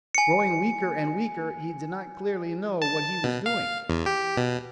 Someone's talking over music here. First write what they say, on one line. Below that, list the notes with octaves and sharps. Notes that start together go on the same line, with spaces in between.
Growing weaker and weaker, he did not clearly know what he was doing.
G#5 C#7
A5
B2
F5
E2
G4
B2